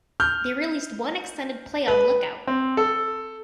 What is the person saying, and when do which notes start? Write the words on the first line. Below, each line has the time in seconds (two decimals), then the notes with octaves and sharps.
They released one extended play on Lookout!
0.20 F6 G6
1.88 B4
2.47 C4
2.77 A4